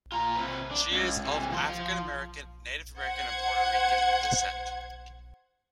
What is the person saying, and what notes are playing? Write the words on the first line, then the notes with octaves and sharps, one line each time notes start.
She is of African American, Native American and Puerto Rican descent.
F4 A#5
C3 B4
D4
C#2
C3 E3
F3 C6
C5 F#5 G#6